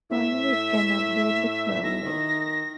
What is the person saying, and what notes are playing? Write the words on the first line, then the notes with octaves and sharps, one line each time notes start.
Finally it can update the firmware.
A2 E5
B1 A#6
D#3